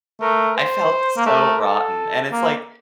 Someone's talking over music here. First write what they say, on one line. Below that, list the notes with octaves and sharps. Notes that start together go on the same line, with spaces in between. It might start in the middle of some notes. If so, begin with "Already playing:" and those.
I felt so rotten. And it's like,
A3 A#4
C5
A#3
A3 A#4
A4
A#3